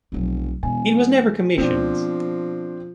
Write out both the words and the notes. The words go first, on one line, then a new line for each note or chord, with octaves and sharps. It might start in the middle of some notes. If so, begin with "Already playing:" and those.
It was never commissioned.
F1 B1 F#3
E1 B2 G#5
B2 F3 C4 D4